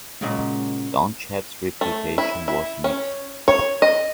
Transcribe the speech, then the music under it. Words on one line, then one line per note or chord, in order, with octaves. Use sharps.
Donnchad's reputation was mixed.
A#2 C#3 F#3 G#3
A3
E4
E4
C#4
C#5
D#5